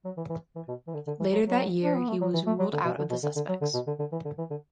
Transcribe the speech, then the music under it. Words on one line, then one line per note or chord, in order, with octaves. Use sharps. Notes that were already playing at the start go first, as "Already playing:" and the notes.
Later that year, he was ruled out of the suspects.
F#3
E3
E3
E3
B2
E3
D3
D3
E3
F#3
F#3
D4
B3
A3
F#3
E3
A3
F#3
D3
B2
D3
B2
D3
D3
F#3
D3
B2
D3
D3
E3
D3
E3
D3